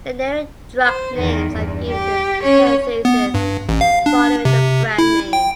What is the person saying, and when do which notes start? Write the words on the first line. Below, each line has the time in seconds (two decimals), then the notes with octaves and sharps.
Generic drug names are given in parentheses following the brand name.
0.83 C5
1.17 E2 D#3
1.53 E2 G2
1.90 G4
2.43 C#4 C#5
3.05 B3
3.34 G2
3.69 A1
3.81 F5
4.06 D4
4.45 C3
4.98 E4
5.33 G5